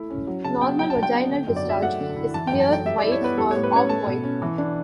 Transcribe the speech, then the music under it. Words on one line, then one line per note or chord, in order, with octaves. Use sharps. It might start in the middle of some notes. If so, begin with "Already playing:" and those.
Normal vaginal discharge is clear, white, or off-white.
Already playing: A3 E4
C#4
F#3
C#3 A5
B3 G5
F#3 G5
A5
D4
G5
B3
D3
F#2
D5
F#3 E5
A3 F#5
D3
E4
E3 A5
F#2 G5
A5
A3 G5
G3 E5
D5
E4
C#5
B3 B4
G3 A4
A2 C#5
B4
C#4 C#5
A3 A5
B2
C#4
E3
D4